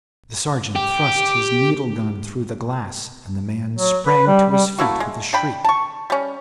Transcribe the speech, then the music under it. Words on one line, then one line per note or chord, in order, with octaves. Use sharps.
The sergeant thrust his needle-gun through the glass, and the man sprang to his feet with a shriek.
G4
F#3
B4
G3
G3
A3 A#3 E4 F#4
G#3
D4 G5 B5
A5 C#6
G3 C#4